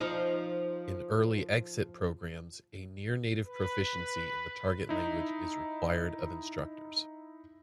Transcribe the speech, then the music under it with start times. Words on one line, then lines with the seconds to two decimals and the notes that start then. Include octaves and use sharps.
In early-exit programs, a near-native proficiency in the target language is required of instructors.
0.01 F3 D#4
3.45 B4
4.89 D#4 E4